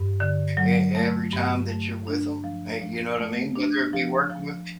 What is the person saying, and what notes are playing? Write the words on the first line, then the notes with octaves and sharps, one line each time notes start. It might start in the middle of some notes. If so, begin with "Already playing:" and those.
e every time that you're with 'em, hey, you know what I mean? Whether it be working with
Already playing: G2
D3
F#3
A3
G2
A3
D4
F3
F3
A3
D4
F3
F3